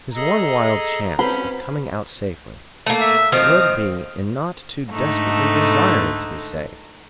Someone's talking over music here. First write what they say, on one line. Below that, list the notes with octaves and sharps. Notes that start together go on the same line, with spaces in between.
His one wild chance of coming out safely would be in not too desperately desiring to be safe.
G#4 A4 D#5 A#5
C4 C#4 B4 C5 B5
A3 A#3
E5
D#3 F3 C4 D#6 F6
G#2 D3 A3 D#4